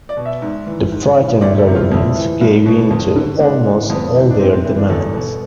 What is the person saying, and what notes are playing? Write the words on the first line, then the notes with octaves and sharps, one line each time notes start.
The frightened government gave in to almost all their demands.
D5
B2
E5
G#2
E3
G#2
E3
D2 D5
A4
C3 E3
F4
F2 E4
E3
C2
B2
F2
D3
G#2 D4
E3
F2 B3
C3 E3
D4
G#2 C4
C4
E3 C4
D4
E2 A4
B2